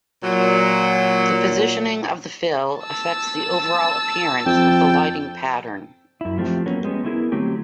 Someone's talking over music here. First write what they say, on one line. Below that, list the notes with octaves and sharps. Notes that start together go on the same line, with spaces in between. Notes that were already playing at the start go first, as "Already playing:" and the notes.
The positioning of the fill affects the overall appearance of the lighting pattern.
A#2 F#3
A5 E6
F2 G5
F#2 E4
F3 A3 C4 E4 G4
F#3 A#3 B3 C#4
G3 G#3 B3 C#4
A3 B3 E4 G#4 A#4
D3 F#3 A3 C4 G4